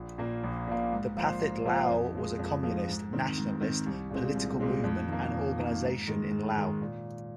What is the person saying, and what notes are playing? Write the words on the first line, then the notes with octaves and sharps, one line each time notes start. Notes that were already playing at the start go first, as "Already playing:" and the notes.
The Pathet Lao was a communist, nationalist political movement and organization in Laos.
Already playing: A#1
A#2 A#3
A#1
A#2 A#3
G#2
F3 A#3 F4 C5
G#2
F3 A#3 F4 C5
F2
F3 G#3
F2
F3 G#3
G#2
D#3 C4
G#2
D#3 C4
C2
A#2 G#3 C4
C2
A#2 G#3 C4
F2
D#3 A#3
F2
D#3 A#3
G#2
D#3 G#3
G#2
D#3 G#3
A#2